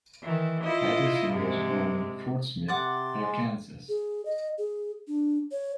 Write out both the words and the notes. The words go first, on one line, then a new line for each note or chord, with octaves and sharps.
Patterson was born in Fort Smith, Arkansas.
D#3 E3
E4 F4 D#5
G#2 C3 G#3
C3 F#5 C6 D6 F#6 A6
G#3
G#4
D#5
G#4
D4
C#5